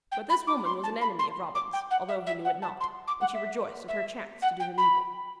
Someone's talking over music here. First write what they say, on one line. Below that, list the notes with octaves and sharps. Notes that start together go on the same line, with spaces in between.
But this woman was an enemy of Robin's, although he knew it not; and she rejoiced at her chance to do him evil.
G5
B5
D6
C6
A5
B5
C6
D6
G5
F#5
E5
E5
F#5
A5
C6
D6
F#5
E5
E5
F#5
G5
B5